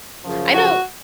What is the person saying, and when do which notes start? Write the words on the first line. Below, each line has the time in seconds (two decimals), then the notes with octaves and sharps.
I know
0.23 F#2 C#3 F3
0.54 F#4